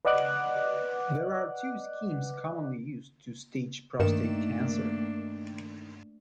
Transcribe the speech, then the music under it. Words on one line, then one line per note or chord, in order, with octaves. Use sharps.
There are two schemes commonly used to stage prostate cancer.
B4 D5 D#5 F#5 D6 F#6
G2 D#3 A3 A#3 D4 C#7 E7